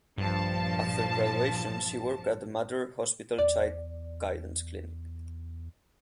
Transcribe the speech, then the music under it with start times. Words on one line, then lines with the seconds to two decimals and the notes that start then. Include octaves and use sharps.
After graduation she worked at the Mater Hospital Child Guidance Clinic.
0.18 A#1 G2 F3 A5
3.38 E2 D5